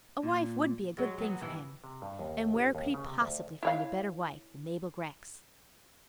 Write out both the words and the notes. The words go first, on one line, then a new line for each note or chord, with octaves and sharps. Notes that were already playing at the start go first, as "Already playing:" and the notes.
A wife would be a good thing for him; and where could he possibly find a better wife than Mabel Grex?
A#2
F#3 G#3
F#3 B3
G2 E3
C3
G2
D#2
G1
D#2
C#3
C3
D2
E4 C#5 F5